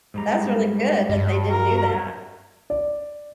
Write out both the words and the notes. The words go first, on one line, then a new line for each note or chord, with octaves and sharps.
That's really good that they didn't do that.
G#2 G3 A#5
G2
F#4 A#4
D5